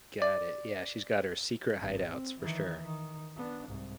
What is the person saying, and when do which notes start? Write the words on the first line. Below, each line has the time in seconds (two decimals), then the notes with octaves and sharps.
Got it. Yeah, she's got her secret hideouts for sure.
0.22 D5
1.80 G#1
2.09 C4
2.40 D#3 E3
2.85 D#3
3.36 B3 D4
3.67 C2 G#2